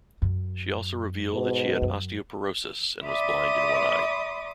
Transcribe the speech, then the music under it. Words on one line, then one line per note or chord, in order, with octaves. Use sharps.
She also revealed that she had osteoporosis and was blind in one eye.
F#2
G#2 B2
F#2
D5 E5 B5 C6 D6 D#6